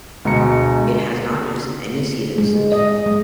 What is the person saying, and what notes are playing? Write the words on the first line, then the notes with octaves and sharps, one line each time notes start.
It has not missed any seasons since.
D2 B2 G#3 A#5 C#7
G#3
D#5
G#3